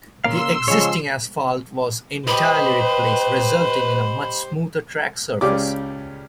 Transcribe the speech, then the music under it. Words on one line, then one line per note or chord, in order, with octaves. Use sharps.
The existing asphalt was entirely replaced, resulting in a much smoother track surface.
C#3 A#3 F5 C6 E6
C#3 F3 G#3 C#5
G4 B4 C5 D#5 B5
C#2 C#3 C#4 G4 D5 D6